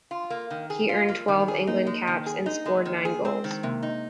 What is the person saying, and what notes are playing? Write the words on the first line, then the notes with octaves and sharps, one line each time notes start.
He earned twelve England caps and scored nine goals.
F4
A#3
D#3
G#4
F4
A#3
D#3
G#4
A#3 D#4
G#3
D#3
G#4
D#4
G#3
D#3
G#4
G#3 C4
D#3
C3 A#3
D#4